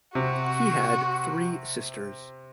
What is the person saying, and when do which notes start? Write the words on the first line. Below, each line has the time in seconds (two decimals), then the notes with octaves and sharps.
He had three sisters.
0.15 C3 F#4